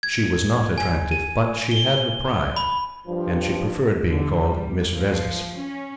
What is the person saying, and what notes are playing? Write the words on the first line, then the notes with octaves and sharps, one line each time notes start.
She was not attractive; but she had her pride, and she preferred being called "Miss Vezzis."
G#6
G#5
D#7
G7
B5
G2 F3
D3
G3
F3
C#4